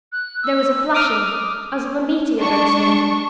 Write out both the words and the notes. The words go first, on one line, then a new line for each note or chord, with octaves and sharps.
There was a flashing as of a meteor bursting.
F#6
E6
D6 D#6 F6
G#3 D4 C#6